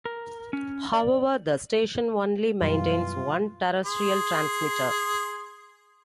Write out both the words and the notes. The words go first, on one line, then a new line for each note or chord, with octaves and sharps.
However, the station only maintains one terrestrial transmitter.
A#4
C#4
D5
F#2 B2 E3 G3 F4 F5
G#4 C6